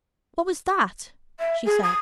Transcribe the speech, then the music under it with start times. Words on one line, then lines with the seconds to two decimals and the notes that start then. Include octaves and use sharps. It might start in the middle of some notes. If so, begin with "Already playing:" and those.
"What was that?" she said.
1.39 E5
1.65 G#4
1.83 D#6